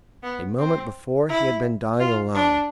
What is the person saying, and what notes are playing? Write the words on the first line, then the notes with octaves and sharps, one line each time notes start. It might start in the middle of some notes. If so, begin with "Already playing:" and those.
A moment before he had been dying alone.
B3
C4
E4
F4
D4